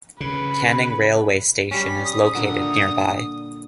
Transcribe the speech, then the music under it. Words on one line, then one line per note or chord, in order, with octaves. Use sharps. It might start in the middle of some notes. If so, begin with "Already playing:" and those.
Canning railway station is located nearby.
C#3 B4
G3 C#4 B6
D#6
A#2 D3